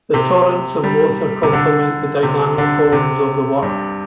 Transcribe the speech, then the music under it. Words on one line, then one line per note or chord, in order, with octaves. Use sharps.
The torrents of water complement the dynamic forms of the work.
C3
G3
C3
D3
C3
D3
C3
G2